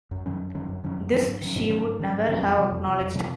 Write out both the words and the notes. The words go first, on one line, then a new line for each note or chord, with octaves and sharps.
This she would never have acknowledged.
F#2
D#3 F#3 C#4
F#2
D#3 F#3 C#4
F#2
D#3 F#3 C#4
F#2
D#3 F#3 C#4
G#2
D#3 F#3 C#4
G#2
D#3 F#3 C#4
G#2
D#3 F#3 C#4
G#2
D#3 F#3 C#4
F2
C3 F3
F2
C3 F3
F2
C3 F3